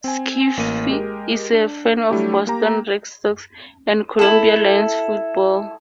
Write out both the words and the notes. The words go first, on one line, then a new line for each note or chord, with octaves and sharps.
Schiff is a fan of the Boston Red Sox and Columbia Lions football.
C4 G#5
A1 A#3 D#7
G#3 G4 A#4
D4
F#3 G3 A3 D4 E4 G4
A#3 G4 A#5
E4 A4